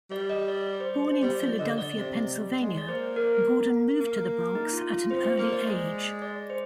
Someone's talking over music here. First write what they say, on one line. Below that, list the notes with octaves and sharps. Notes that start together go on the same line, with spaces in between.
Born in Philadelphia, Pennsylvania, Gordon moved to the Bronx at an early age.
G3 D5
D#5
D5
D5
C5
C5
C5
G3 D5
F3 D5
D3 D#5
D3 D5
C3
C3
G3
G#3
D5
A#3 C5
A#4
A#3
D#4
F4
F4
C4 C5
C5
A#3 C5
D5
G#3
D5
C5